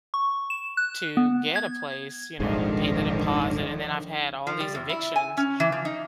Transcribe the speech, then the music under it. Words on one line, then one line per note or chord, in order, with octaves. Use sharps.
to get a place, you know, and pay the deposit, and then I've had all these evictions.
C#6
E7
F#6
B3
G#6
D#1 G#1 G#2 D3 D#3 F3
F3
G3
E2
E4
G#5
C#4
E3
F3
D#4